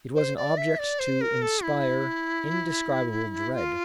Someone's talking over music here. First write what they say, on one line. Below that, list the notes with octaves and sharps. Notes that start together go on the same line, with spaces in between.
It was an object to inspire indescribable dread.
C5
D5
E5
D5
C5
A#4
A4
E4
F4